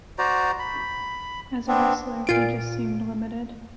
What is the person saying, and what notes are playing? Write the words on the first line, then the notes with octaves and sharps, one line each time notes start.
As a wrestler, he just seemed limited.
F#4 C5 D5 A#5
B5
B3 C4 D4
A#2 F4 D7